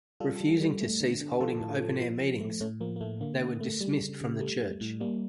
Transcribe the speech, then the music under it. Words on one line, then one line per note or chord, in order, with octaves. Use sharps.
Refusing to cease holding open-air meetings, they were dismissed from the church.
G3 F4 A4
G3
G3
A3
D3
D3
F3 F4 A4
A2
F3
F3
F3
A3
A2 A3 C#4
F3 A#3
A#3
A2 A3
D3 A#3
D3
A3
G3
C#3
C#3
G3 A3
G3
A2
G3 A#3